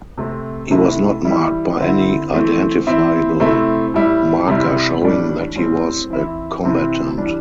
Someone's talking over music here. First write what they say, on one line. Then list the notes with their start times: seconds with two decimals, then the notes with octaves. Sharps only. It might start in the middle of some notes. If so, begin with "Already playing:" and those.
He was not marked by any identifiable marker showing that he was a combatant.
0.18 C3 A3 C4
0.71 C3 A3 E4
1.25 E3 G3 E4
1.79 D3 C4 E4
2.33 E3 A3 C4
2.87 E3 C4 E4
3.40 C3 A3 C4 E4
3.94 A2 G3 E4
4.48 C3 G3 C4 E4
5.01 A2 E3 G3 D4
5.56 A2 G3 C4
6.10 E3 C4 E4
6.63 C3 E3 C4 E4
7.18 E3 G3 D4